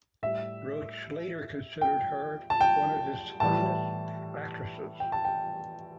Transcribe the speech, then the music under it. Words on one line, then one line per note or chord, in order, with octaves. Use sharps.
Roach later considered her one of his finest actresses.
A2 G3 E5
G5
A5
G5
A2 E3 G3 A5
G5
A5
G5